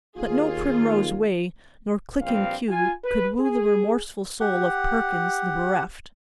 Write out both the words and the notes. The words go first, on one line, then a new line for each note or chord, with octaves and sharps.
But no primrose way nor clicking cue could woo the remorseful soul of Perkins the bereft.
D#2 F4 G#4
A#1 G2 C4 F5
F4 G#5
B4
G#4
G4 F#5